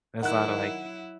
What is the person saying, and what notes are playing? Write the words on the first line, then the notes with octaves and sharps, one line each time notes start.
there's a lotta like,
D#3 F#3 E4 F#5 F#6